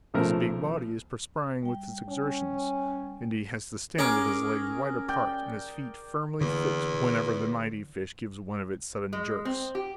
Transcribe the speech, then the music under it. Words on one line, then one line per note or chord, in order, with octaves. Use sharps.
His big body is perspiring with his exertions, and he has to stand with his legs wide apart and his feet firmly fixed whenever the mighty fish gives one of its sudden jerks.
B1 C#3 F3 A3 A#4 A#5
G3 G5
C#4
C#4 G#4 A#4 D6
D5 G5
E2 D3 E3 A#3
G#3
C4
G4